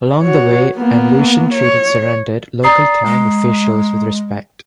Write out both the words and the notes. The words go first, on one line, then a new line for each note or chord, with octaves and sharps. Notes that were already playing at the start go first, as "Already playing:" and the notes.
Along the way, An Lushan treated surrendered local Tang officials with respect.
F#4 C#5
A#3 B3
C#5
D5 A#5 D#6 C7
G#3